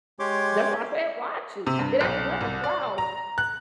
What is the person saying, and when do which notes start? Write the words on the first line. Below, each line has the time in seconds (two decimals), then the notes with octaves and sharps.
That's why I said watch it, it ain't nothing to cry over.
0.19 G#3 G4 C#5 C6 D6
1.67 C3
1.79 G2
2.01 B1
2.41 C2
2.64 D5
2.98 A#5
3.38 F#6